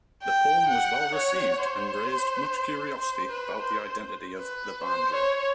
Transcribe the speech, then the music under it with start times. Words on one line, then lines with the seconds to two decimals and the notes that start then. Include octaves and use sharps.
The poem was well-received and raised much curiosity about the identity of "The Banjo".
0.24 G5
0.69 F#5
1.15 C#5
1.62 C5
3.00 C5
3.30 B4
3.61 C5
4.38 B4
4.84 C5
5.14 C#5